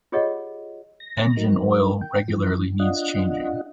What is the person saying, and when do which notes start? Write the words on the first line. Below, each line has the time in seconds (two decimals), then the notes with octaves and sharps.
Engine oil regularly needs changing.
0.12 F4 G4 G#4 C#5 D#5 F#5
1.00 A#6
1.37 F#3 D#4 A#4
2.01 G5
2.28 F#2 E3 F3
2.79 D4 F4 D#5 F#5